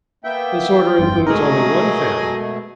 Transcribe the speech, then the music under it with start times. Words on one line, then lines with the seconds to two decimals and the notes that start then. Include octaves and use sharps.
This order includes only one family.
0.24 A#3 B3 E5 G5
0.99 G1 F2 F4
1.27 B2 F#3 G#3 A3 G#4 A#4 D#5